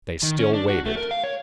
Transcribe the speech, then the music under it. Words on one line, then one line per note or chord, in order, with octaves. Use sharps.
They still waited.
D#3
C#4
D4
F#4
A3
A#4
F5
C#5